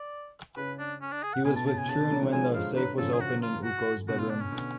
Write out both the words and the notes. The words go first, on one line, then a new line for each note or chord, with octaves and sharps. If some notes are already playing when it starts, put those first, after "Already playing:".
He was with Troon when the safe was opened in Ouko's bedroom.
Already playing: D5
C#3 B4
D4
C#4
D4
G#4
F#5
B2 G#5
A5
C#3 A5
G#5
B2
C#3 A5
B2 D3
D3 F#3
D3 F#3
F3 G#3 G#5
F3 G#3 F5
D3 F#3 B4
C#3 F3 A4
G#4
F#4
F4
F#4
B2 D3 F#4
F4
D4
C#4
B2 D3